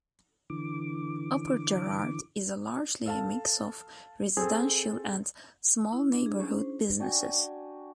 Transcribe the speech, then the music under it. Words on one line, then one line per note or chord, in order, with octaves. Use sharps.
Upper Gerrard is largely a mix of residential and small neighbourhood businesses.
D3 E3 D6
A4 F5 A5
C4 G#4 A4
E4
D4
G#4
C#4
C5
D4 F#4 G5 G#5